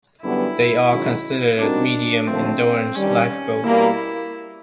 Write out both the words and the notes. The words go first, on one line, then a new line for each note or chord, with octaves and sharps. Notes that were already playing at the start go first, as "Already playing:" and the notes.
They are considered "medium endurance" lifeboats.
F#2 D3 G3 B3 E4
F#2 D#3 G#3 C#4 F#4
G3 C4 D4 D#4 F#4 A#4
D#2 D3 F3 A3 C4
G2 D#3 G3 C#4
B2 G3 A#3 E4